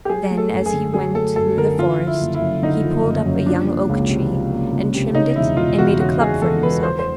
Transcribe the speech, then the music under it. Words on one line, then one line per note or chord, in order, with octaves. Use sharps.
Then, as he went through the forest, he pulled up a young oak tree and trimmed it and made a club for himself.
G4
F#3 G#4
A3
A4
F#2
G#4
D3
F#3 G#4
A3 A4
F#2 A4
D3 A#4
D3 F4
F3
E4
F#1
E4
F#2
D3 D#4
F3
F#1
F#2
F3 D4
A#3
C#2
C3
F3
A#3
C#2
C3
C#3 D#4
E1 E4
E1 F4
E2 F#4
C#3 F#4
E1 G#4
E1 A4
E2 B4
F3 C5
C5